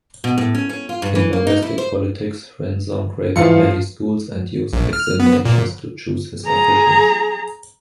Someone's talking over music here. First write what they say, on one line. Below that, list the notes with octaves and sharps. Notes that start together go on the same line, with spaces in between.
In domestic politics, Renzong created many schools and used examinations to choose his officials.
B2
A2
C#4
C#4
F4
G2
E3
A#3
D#4
E4
C5
G#2 E3 F3 F4 C#7
A#1
F6
B3
A#2
G#4 A#5